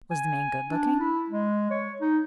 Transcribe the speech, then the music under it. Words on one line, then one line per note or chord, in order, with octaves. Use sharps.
"Was the man good-looking?"
G#5
D4
E4
G#3
C#5
D#4